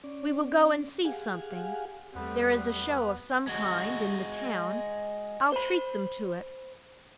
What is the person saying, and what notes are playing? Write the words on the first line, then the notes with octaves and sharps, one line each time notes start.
We will go and see something. There is a show of some kind in the town--I'll treat them to it.
C#4 D5
G4 G#4 F5 F#5 G#5
E2 G3 A3 B3 C4 B4
G#3 F#4
C5 B5